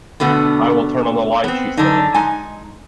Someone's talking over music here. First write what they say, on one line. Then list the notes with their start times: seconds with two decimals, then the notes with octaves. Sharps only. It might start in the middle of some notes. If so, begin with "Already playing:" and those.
"I will turn on the light," she said.
0.20 B2 D3 A3 B3
1.44 B3 C4
1.77 F#2 D3 D4 D#4
2.14 G#3 D#4 G#5